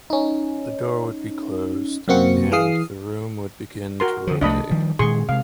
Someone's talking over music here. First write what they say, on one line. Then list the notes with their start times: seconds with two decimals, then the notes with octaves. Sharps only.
The door would be closed and the room would begin to rotate.
0.10 C#4 D#4
2.08 F#2 C3 A#3 C4 F#4 C#7
2.52 E3 G#4 F5 D#6 C7
4.00 F#4 A#4 C6
4.27 D3 F3
4.41 C2 F3 A3 D4 D#5 B5
4.70 D#3 F3 G3
4.99 A#2 D#3 G#3 G#4 C6 C#6
5.29 C3 G#3 F5